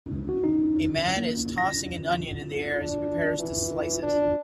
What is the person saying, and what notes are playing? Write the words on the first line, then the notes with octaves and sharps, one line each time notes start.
A man is tossing an onion in the air as he prepares to slice it.
C#2
F#4
D#4
A#3
A#6
D4
E3
D4